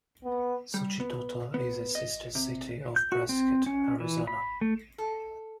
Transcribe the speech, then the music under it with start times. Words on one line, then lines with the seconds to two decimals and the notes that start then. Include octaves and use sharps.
Suchitoto is a Sister City of Prescott, Arizona.
0.24 B3
0.74 G3
1.00 B3
1.54 B3
1.95 D#5
2.35 C3
2.96 G6
3.12 F#4
3.29 C4
3.66 C#4
4.00 E3
4.27 B5
4.61 A3
4.98 A4